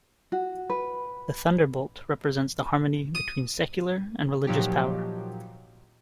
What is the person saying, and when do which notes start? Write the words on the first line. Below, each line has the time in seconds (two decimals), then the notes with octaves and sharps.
The thunderbolt represents the harmony between secular and religious power.
0.32 F#4
0.70 B4
3.15 D#6
4.47 A#2 F3 F#3 D#4 G4